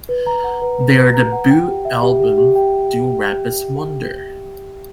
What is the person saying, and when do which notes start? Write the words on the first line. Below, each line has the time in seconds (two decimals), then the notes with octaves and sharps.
Their debut album, Do Rabbits Wonder?
0.09 B4
0.27 A#5
0.44 F#5
0.62 B4
0.79 B4
0.97 B4
1.14 A#5
1.32 F#5
1.50 G5
1.67 G4
1.85 E5
2.03 G4
2.20 G4
2.38 G4
2.55 G5